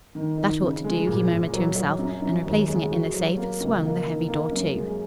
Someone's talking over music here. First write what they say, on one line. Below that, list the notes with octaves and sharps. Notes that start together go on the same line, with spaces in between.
"That ought to do," he murmured to himself, and, replacing it in the safe, swung the heavy door to.
D#3
D#4
C#3
G#3
A#2
A#2
F#3
F#3
F#2
F#2
D#2
G#3
F#4
F#3
A#3
C#2
A#3
D#4
A#3
F#2
G#3